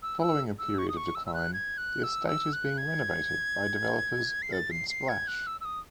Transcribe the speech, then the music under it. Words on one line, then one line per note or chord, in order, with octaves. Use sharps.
Following a period of decline, the estate is being renovated by developers Urban Splash.
E6
E6
E6
C#6
D#6
C#6
E6
E6
F#6
G#6
F#6
E6
E6
F#6
G#6
C7
A6
C7
C7
G#6
F#6
E6
E6
D#6